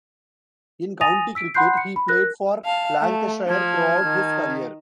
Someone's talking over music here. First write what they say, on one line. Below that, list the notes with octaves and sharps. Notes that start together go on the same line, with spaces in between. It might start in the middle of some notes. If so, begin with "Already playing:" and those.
In county cricket, he played for Lancashire throughout his career.
G#5 D#6 A6 A#6 D#7 F7
E6 B6 D7
F#5 B5 C6 F#6 G6 C7
C#7
B5
A#4 F#6 A#6
F5 G#5 A5
A3
F3 A5 F6 G#6
D#3